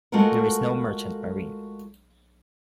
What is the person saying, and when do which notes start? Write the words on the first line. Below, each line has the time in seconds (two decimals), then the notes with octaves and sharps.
There is no merchant marine.
0.12 G#3 A3 F4 F#4 A4 A#4